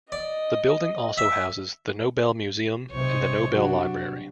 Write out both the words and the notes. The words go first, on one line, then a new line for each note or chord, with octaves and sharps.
The building also houses the Nobel Museum and the Nobel Library.
D5 D#5
E5
B1 C3 D#4 C5 C#5
C3 F#3 G3 D4 F#4